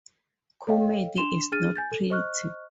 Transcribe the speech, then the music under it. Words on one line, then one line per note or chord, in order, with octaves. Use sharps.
Comedy Is Not Pretty!
A4 C#5 D#5 F5 G5
D4 C6 E7 F7 G7
D4 G#4 F6 A6 D#7
G#5 G6 A6
A4
C5 D#5 C#6 F6 F#6